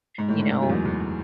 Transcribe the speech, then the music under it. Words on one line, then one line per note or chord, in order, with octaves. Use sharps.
you know
G#2
A2
G#2
F#2
E2
E2